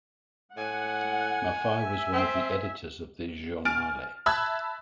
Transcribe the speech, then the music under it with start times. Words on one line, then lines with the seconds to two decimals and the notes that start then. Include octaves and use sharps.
Maffei was one of the editors of the Giornale.
0.57 A2 F#5 G#5
1.81 E5
2.13 C4
3.65 G#5 F6 A6 D7
4.26 E5 A5 B5 E6 F#6 G#6